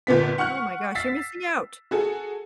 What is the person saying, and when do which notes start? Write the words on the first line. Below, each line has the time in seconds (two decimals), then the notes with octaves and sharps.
Oh my gosh. You're missing out.
0.07 G1 A#2 B3 B6
0.38 F#5 C#6 F6 F#6
0.95 E6 A6 B6 C7
1.91 F#4 G#4 A4